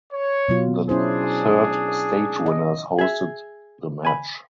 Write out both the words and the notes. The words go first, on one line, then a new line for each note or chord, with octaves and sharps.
The third stage winners hosted the match.
C#5
B2 F#3 F4
C#4 D4 E4 G#4 C5
D#5
G#4 E5
G#5 B5